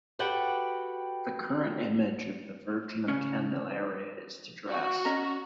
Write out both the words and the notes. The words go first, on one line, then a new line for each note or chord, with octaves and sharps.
The current image of the Virgin of Candelaria is to dress.
F#4 G4 A4 B4 F#5 G5
C#3 C#4
F#4
C#4 D#5 A#5